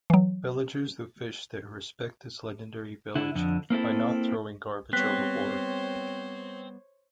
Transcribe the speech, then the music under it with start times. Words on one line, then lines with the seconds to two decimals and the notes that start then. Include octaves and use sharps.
Villagers who fish there respect this legendary village by not throwing garbage overboard.
0.10 E3 F#3
3.15 D3 E4
3.35 F2 D3
3.70 A#3 C4 E4 A4
4.93 G3 B3 C4 C5 C#5 F#6 B6